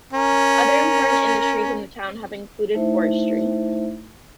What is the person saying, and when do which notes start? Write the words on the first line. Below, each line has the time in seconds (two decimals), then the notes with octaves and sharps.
Other important industries in the town have included forestry.
0.13 C#4 A#4
2.75 A3 D#4 E4 C5 E5